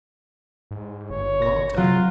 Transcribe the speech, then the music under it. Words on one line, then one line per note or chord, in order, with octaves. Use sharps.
Well, I'll tell you.
G#2
G1 C#5
A#6
C3 F#3 F4